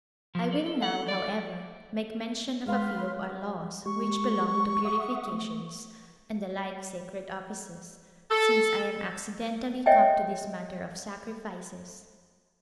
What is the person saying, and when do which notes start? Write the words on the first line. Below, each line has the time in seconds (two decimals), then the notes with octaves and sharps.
I Will now, however, make mention of a few of our laws which belong to purifications, and the like sacred offices, since I am accidentally come to this matter of sacrifices.
0.35 F3
0.51 A4 D5
0.66 A4
0.82 F#5
1.08 D5
2.66 G#3 B4 F5 C6 F6
3.86 G#3 G4 C#6
4.85 E5 F#5 D#6
5.32 A3
8.30 A4
9.86 C#5 D#5 E5 G5 G#5